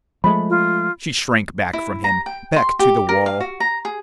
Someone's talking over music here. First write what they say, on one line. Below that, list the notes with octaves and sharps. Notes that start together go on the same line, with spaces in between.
She shrank back from him, back to the wall.
F3 G#3 A3 B5
F4
E4
A#5
G5
C6
G4
A#4
F5
F#4
A#5
G#4